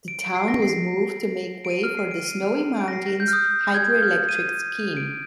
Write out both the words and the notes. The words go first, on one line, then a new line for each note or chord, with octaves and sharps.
The town was moved to make way for the Snowy Mountains Hydro-Electric Scheme.
D7
D7
C7
A#6
C7
D7
D#7
F6
C7
D7
D#7
D7
A#6
C7
A#6
G6
F6
D#6
G6
G#6
G6
F6
D#7
D7